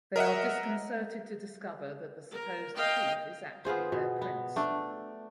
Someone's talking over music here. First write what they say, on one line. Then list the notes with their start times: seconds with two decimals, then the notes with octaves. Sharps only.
They are disconcerted to discover that the supposed thief is actually their prince.
0.16 A#4 D#5 E5 F#5
2.33 A#4
2.76 D#5 F5 G5
3.65 B3 F4 G#4 C5
3.92 B2
4.22 B3
4.56 A3 D4